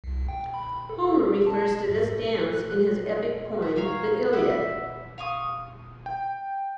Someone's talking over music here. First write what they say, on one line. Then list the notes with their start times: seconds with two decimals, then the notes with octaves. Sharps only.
Homer refers to this dance in his epic poem, the "Iliad".
0.04 C2
0.29 G5
0.54 B5
0.89 A4
1.12 G#4
1.47 A5
1.89 G#2
2.10 A4
2.54 F#6
3.62 E5
3.76 F#4 A#4 C#5 F5
4.33 E5 F#5 B5 D6
5.18 F5 C#6 D#6
6.06 G5